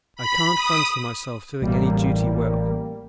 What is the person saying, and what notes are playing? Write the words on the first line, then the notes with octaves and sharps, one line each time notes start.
I can't fancy myself doing any duty well.
B5
D#6
A1 G3 A#3